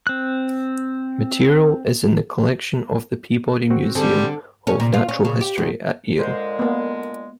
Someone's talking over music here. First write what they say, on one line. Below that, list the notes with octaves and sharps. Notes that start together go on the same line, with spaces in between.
Material is in the collection of the Peabody Museum of Natural History at Yale.
C4 F#6
C4 F#4
D3 G3 C4 G#4
C#4
A#2
F4
C#4
C#3
G4
E2
A#2 D3 G#3 C5
A#3 B3